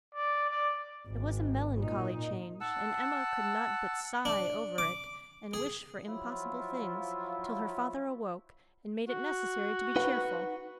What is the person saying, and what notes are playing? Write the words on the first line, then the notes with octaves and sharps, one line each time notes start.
It was a melancholy change; and Emma could not but sigh over it, and wish for impossible things, till her father awoke, and made it necessary to be cheerful.
D5
D5
G#1
A#2 D#4
F#5 A5 E6
D4
D6
G#4
F3 F#3 E4 F4
F#4
D#4 B4 F#5